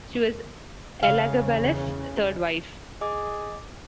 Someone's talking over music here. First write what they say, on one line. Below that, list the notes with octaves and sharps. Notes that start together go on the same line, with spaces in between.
She was Elagabalus' third wife.
E2 C#3 F5
G#4 D#5 D6 D#6